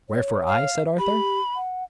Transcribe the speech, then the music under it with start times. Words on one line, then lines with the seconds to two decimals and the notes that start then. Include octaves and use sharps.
"Wherefore I?" said Arthur.
0.10 C#5
0.47 F5
0.99 G4 B5
1.56 F#5